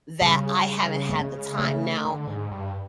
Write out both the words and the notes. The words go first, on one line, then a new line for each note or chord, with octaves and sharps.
that I haven't had the time. Now
C#3 G3
A3
G#3
A3
D3
G#2
G2